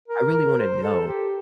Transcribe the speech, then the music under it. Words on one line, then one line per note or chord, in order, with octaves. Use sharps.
I really wanna know,
A#4
A#4
C5
A4
G4